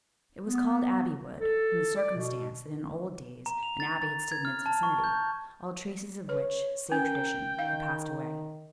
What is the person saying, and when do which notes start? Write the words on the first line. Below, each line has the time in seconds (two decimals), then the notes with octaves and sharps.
It was called Abbey Wood, from the circumstance that in old days an abbey had stood in its vicinity, all traces of which, save tradition, had passed away.
0.46 B3
1.40 A4
1.96 D5
2.15 B2
3.46 A#5
3.63 F7
3.80 A6
4.02 A6
4.32 G#6
4.45 F6
4.66 A5
4.83 C#6
5.04 G6
6.29 B4 C#5
6.92 C#4 A#4 G5
7.59 D#3 F5